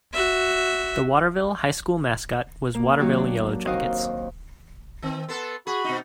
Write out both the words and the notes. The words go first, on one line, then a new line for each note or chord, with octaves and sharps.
The Waterville High School mascot was Waterville Yellow Jackets.
F#4 E5
A#3
D#3 F#3 A#3 F#4 G4
D4
D#2 C4 D#4 F#4 D#5 F5
D#3 C4
B3 A4 C6
F#4 G#4 B5
B2 D#4